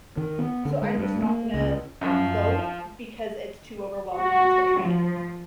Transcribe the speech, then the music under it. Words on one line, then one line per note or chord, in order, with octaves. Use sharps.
so I'm just not gonna vote because it's too overwhelming to try and
D#3
B3
D3
G#3
G2
A#3
C#2
F#2 F3
F#4
F3